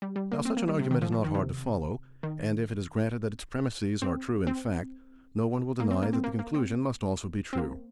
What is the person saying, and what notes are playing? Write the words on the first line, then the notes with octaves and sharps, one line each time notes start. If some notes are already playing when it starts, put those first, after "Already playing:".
Now such an argument is not hard to follow; and if it is granted that its premisses are true in fact, no one will deny that the conclusion must also be true.
G3
G3
A#3
C4
A#3
G3
C3
D#3
F3
F3
D#3
C3
D#3
C4
C4
A#3
C4
A#3
C4
A#3
A#3
C4
C4
A#3